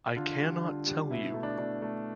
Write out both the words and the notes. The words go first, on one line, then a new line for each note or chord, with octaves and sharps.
I cannot tell you.
D3 F4
G3
D3
G3
B2 E4
A3
D4
B2 D4
A3